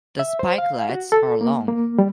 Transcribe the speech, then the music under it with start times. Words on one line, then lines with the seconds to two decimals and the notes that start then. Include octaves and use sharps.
The spikelets are long.
0.19 E5
0.39 C5
0.58 F5
0.89 F#4
1.12 A4
1.41 A#3
1.68 A#3
1.98 G3